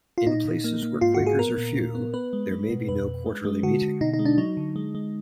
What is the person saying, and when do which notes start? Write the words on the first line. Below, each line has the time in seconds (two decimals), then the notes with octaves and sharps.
In places where Quakers are few, there may be no Quarterly meeting.
0.18 F4
0.27 A#2 D#4
0.45 A#2
0.64 A#3
0.83 A#3
1.01 G#2 F4
1.14 F#4
1.20 G#2
1.26 G#4
1.39 B3 A#4
1.58 A#2
1.76 A#2
1.95 B3
2.14 B3 B4
2.33 G#3
2.51 G#3
2.70 B2
2.89 F2 B4
3.07 F2
3.26 G#3
3.45 G#3
3.63 D3 F#4
3.82 D3
4.01 B2 D#4
4.14 D#4
4.19 G#3
4.25 D4
4.38 F#3 D#4
4.57 D3
4.76 G#3
4.95 G#3